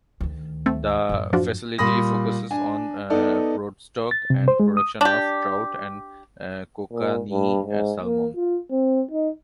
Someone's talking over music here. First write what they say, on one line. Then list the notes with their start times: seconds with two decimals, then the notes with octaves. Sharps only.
The facility focuses on broodstock and production of trout and kokanee salmon.
0.21 D2 D#3
0.66 A3 C4
1.09 F#2 A2
1.33 F3 D4 F#4
1.78 A#2 G3 B5 C6 D#6 A#6
2.51 D4 G#5
3.10 B3 D#4 A4 D5
4.11 A6
4.30 C3
4.48 C5
4.60 G#3
4.77 D#6
5.01 D4 G4
6.92 A#2
7.31 G2
7.66 G#2
8.03 A#3
8.36 F4
8.71 C4
9.11 D#4